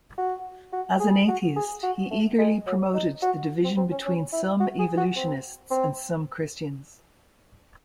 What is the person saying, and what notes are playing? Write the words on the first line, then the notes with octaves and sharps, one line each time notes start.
As an atheist he eagerly promoted the division between some evolutionists and some Christians.
F#4
F#4
G#4
F#4
G#4
F#4
A3
G#3
F#3
D#4
F#4
C4
C4
C#4
C#4
E4
F#4
G#4
F#4
C4
C4